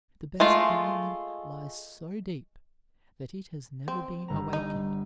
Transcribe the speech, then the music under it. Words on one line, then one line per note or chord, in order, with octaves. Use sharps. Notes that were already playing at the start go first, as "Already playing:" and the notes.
The best thing in them lies so deep that it has never been awakened.
G#3 A3 F4
C4
G1 A#5
D#4